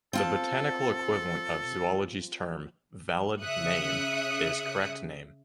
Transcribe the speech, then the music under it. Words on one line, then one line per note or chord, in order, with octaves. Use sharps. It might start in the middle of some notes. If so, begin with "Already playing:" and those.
The botanical equivalent of zoology's term "valid name" is correct name.
C4 F4 A4 A5
C#3 E5 D#6 F#6 C#7